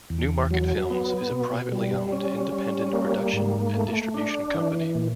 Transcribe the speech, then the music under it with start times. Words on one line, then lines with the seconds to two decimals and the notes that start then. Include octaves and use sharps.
Newmarket Films is a privately owned independent production and distribution company.
0.10 E2
0.51 F#3
0.91 B3
1.31 B2
1.72 G3
2.13 C#4
2.52 G3
2.93 A#3
3.33 G#2
3.74 A3
4.14 D4
4.54 E3
4.95 A#2